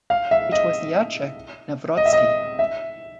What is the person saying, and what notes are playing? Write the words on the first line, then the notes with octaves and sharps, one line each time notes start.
It was Jacek Nawrocki.
F5
E5
D#5
D#5
E5
D#5
E5